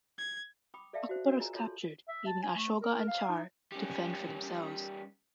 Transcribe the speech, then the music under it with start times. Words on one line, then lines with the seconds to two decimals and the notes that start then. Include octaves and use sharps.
Ackbar is captured, leaving Ahsoka and Char to fend for themselves.
0.18 G#6
0.74 G5 B5 D6 D#6
0.93 A4 D5 E5 F5 G5 A5
1.09 F#4 C5
1.26 F#4 A#4
1.39 F4 G#4 G#5 A#5
1.55 F4 A4 C#5 A5 C6
2.08 E5
2.27 A5
2.43 G#5
2.56 A3
2.81 A#4
3.08 F5
3.29 D#4
3.72 G3 C#4